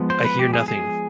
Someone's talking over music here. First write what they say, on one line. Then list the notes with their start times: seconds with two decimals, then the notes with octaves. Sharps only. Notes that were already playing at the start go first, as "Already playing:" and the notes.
I hear nothing!
Already playing: F3 G#3 B3
0.10 C5
0.25 B4
0.39 G4
0.53 G#4
0.68 G#4